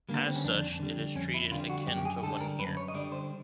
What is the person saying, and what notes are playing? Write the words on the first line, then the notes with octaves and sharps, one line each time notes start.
As such, it is treated akin to one here.
D3 G3 A#3
B3
C4
C#4
F2 D4
D3 G3
F2 C#4
E4
D3 G3 F4
F#4
F#2 G4
G4
G#4
D3 G3 A4
A#4
F#2 B4
C#5
D#5
D3 G3 D5
C5